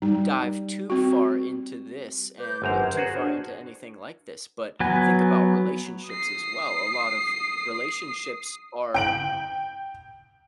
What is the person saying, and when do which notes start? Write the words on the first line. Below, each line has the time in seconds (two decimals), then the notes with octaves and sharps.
dive too far into this and too far into anything like this but, think about relationships as well. A lot of relationships are
0.02 G3 D#4
0.90 C4 F#4
2.40 B4 D6 G6
2.62 G1 F#2 A#4 C5 C#5 A#5
2.95 F#4 G#4 F#5
3.17 D4
4.80 F#3 B3 G#5
6.09 D#6 C7
8.94 G5 D7 F#7